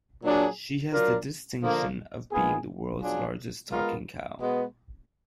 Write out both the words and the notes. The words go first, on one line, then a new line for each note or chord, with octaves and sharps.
She has the distinction of being the World's Largest Talking Cow.
A#2 F#3 D4 G#4
F#3 D4 F4 A#4
D3 F3 A#3 D4
D#3 G#3 B3 F4 G#4
B2 F#3 D4 F4 G#4
G#3 B3 F4 A#4
B2 G#3 B3